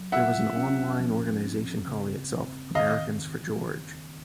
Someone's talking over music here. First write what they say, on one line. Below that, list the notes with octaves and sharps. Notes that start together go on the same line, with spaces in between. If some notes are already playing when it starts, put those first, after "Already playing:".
There was an online organization calling itself Americans for George.
Already playing: F#3
F4 E5 F#5
C#4
F3
C4
C#3
C4
D#3 D#5 F5